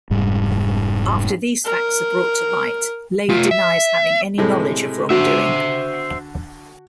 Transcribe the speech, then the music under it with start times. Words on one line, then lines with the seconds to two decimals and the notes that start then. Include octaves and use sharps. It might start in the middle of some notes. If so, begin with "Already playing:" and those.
After these facts are brought to light, Lay denies having any knowledge of wrongdoing.
0.10 F1 G#2 G3
1.66 A#4
3.29 A3 F4
3.51 E5
4.38 A2 C3 G#3 A4
5.10 D3 F#4 C5 E5